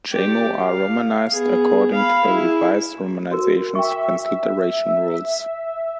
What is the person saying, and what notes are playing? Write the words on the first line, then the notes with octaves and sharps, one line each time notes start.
Jamo are romanized according to the Revised Romanization's transliteration rules.
G4 D5
F5
B3 G#4
F5 B5
E4 G#4
F#4 A#4
E5 G5 C#6